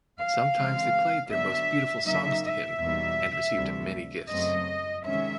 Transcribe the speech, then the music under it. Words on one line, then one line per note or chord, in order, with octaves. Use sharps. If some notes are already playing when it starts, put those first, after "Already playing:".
Sometimes they played their most beautiful songs to him and received many gifts.
F5
C#3 E3 G#3 C4
D3 F#3 B3 D4 E5
C#3 F#3 A#3 D#4 E5
E5
E2 B2 G3 A#3 D#4
D2 C3 E3 G3
F#2 C#3 F#3 A3 C4 D#5
C3 D#3 G#3 C#4 E5